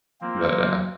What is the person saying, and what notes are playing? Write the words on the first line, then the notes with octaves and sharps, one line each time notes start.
but, uh
F3 A#3 C4
F#3